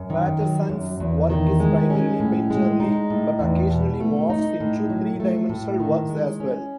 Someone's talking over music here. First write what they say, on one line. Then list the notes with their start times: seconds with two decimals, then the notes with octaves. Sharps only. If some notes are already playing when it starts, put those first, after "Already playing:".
Patterson's work is primarily painterly, but occasionally morphs into three-dimensional works as well.
Already playing: F#2
0.10 D#3
0.40 F#3
0.69 F#2
1.00 E2
1.30 D#3
1.60 G#3
1.90 C#4
2.20 A2
2.50 G#3
2.80 D#4
3.10 A2
3.40 E2
3.70 B2
4.00 A3
4.30 D#4
4.60 A2
4.90 F#3
5.20 A3
5.49 A2
5.80 D#3
6.10 G#3
6.40 C#4